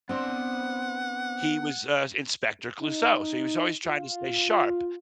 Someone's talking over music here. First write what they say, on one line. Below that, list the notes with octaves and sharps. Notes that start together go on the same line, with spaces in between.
he was, uh, Inspector Clouseau, so he was always trying to stay sharp,
B3 C4 D4 C5 F#5 C6
D#4
F4